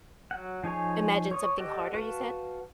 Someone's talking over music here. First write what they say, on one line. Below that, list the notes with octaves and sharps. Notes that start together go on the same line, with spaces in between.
Imagine something harder, you said?
F#3 F#5
F3 D#4 G#4 C#5 G#5
C#5 C#6 D#6
G4 A4 D5 D#5 F#5
F#4 B4 F5 A5